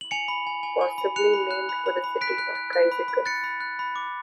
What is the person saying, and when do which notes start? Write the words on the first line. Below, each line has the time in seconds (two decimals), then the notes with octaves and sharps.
Possibly named for the city of Cyzicus.
0.01 F#7
0.11 G#5 C#7 F7
0.28 B5
0.47 G#5
0.63 G#5
0.81 G#5
0.98 B5
1.16 F#6 C#7 F7
1.33 B5
1.51 F#6
1.69 B5
1.86 B5
2.04 B5
2.21 F#6 B6 D7
2.38 F#6
2.55 F#6
2.73 F#6
2.92 B5
3.08 B5
3.25 F#6 A6 C#7
3.44 B5
3.60 F#6
3.79 B5
3.96 D6